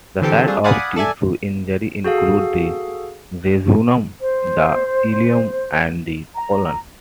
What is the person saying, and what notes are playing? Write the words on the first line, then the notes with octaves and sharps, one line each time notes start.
The sites of tissue injury include the jejunum, the ileum, and the colon.
D3 E3 C4 G4 A4
G3 A3 C4 D4 F4 G#4
D5 F5 F#5 G#5 B5 D#6
A4 D5 E5 G#5
F#4 G#4 A4 F5
C5
A#5